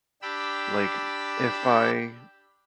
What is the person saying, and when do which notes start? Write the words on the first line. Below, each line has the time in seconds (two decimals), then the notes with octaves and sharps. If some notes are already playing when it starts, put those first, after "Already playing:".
Like, if I
0.22 D4 G4 G5 B5 E6